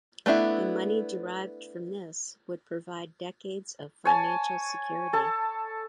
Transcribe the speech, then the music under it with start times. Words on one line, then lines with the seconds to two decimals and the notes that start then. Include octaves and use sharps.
The money derived from this would provide decades of financial security.
0.26 A3 B3 D4 E4
4.05 C#5 G#5 A5
5.13 A4 A5